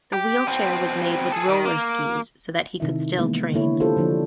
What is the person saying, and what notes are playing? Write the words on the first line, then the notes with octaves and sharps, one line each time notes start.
The wheelchair was made with rollerskis, so that he could still train.
G4
B2 C4
G#4 A4
D#3
A#3
C3 D#3 E4 E5
E3 G#3 A#3 B3
D3 A#3 E4 C#5
F4 G4 A4 C5
D3 F3 D4 C#5